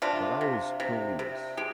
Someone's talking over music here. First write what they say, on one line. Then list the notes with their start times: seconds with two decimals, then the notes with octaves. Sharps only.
But I was clueless.
0.02 C3 D4 F4
0.41 C3
0.80 C3
1.19 C3
1.57 G#3 G4